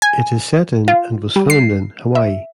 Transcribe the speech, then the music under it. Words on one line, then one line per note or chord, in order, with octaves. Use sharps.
It is set in and was filmed in Hawaii.
G#5
F4
G3
C7
E5